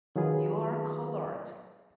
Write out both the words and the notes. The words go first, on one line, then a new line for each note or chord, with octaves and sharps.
You are colored!
D#3 F#3 F4 G#4 B4